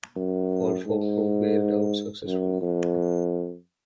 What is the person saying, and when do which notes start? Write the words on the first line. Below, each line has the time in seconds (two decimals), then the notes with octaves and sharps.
All four crew bailed out successfully.
0.16 F#2
0.86 G#2
2.26 F#2
2.61 F2